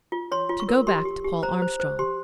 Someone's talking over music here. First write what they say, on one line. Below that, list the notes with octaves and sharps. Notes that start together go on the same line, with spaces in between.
To go back to Paul Armstrong.
F4
C#5 C6
F4
C#6
A#4
G4 C6
G4
G4
C5 A#5
C5
C5
G4 C6